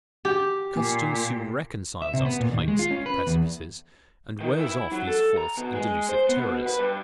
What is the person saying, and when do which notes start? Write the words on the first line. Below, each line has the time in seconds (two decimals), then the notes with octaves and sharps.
Custom soon reconciles us to heights and precipices, and wears off these false and delusive terrors.
0.25 G4
0.76 A#2 A#3 G#5 D6
2.02 E5
2.14 C3
2.25 B3
2.40 A#2
2.52 D#2
2.68 G#3
2.79 F4
2.91 C#4
3.06 B4
3.27 E2
4.40 D#3
4.59 E4
4.92 F#3
5.07 A4
5.38 A#5
5.57 B2
5.75 G#3
6.09 C5
6.29 B3
6.42 B2
6.66 B4
6.79 G2